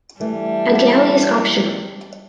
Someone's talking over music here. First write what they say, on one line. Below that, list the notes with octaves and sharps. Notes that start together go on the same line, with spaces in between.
A galley is optional.
E3 G3 A3 D4